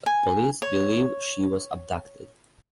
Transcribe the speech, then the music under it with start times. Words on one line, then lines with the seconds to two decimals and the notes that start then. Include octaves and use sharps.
Police believe she was abducted.
0.06 G#5
0.62 C#5